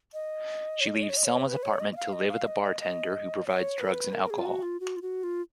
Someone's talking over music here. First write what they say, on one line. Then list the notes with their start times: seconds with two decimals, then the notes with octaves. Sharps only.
She leaves Selma's apartment to live with a bartender who provides drugs and alcohol.
0.14 D#5
0.81 C#5
0.87 D#5
0.95 C#5
1.03 D#5
1.09 C#5
1.17 D#5
1.25 C#5
1.47 B4
1.63 C#5
1.80 D#5
1.93 D#5
1.96 F5
2.13 D#5
2.30 F5
2.47 D#5
2.64 D#5
2.80 D#5
3.47 C#5
3.80 B4
4.13 A#4
4.25 A#4
4.30 G#4
4.38 F4
4.46 F#4
4.62 F4
4.80 F#4
4.96 F4
5.02 F#4
5.24 F4